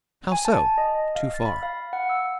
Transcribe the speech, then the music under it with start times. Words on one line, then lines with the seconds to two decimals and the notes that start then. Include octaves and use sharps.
"How so--too far?"
0.32 G#5
0.45 A5
0.78 D#5
1.15 F5
1.34 A6
1.46 B5
1.63 F5
1.93 F#5
2.10 E6